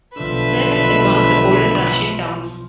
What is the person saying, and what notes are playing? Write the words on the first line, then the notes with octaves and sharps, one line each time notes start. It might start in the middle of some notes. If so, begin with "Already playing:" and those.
Suzdal is one of the oldest Russian towns.
B1 D3 F3 B4 E5